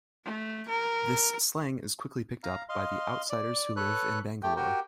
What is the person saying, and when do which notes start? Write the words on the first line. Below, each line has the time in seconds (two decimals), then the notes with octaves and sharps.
This slang is quickly picked up by the outsiders who live in Bangalore.
0.24 A3
0.68 A#4
2.43 F5 A#5
2.69 D#5 F5 C6
3.29 D5
3.76 A4 B4 C#5 F#6
4.43 A3 G4 G5
4.56 F#4 G4 A#4 G5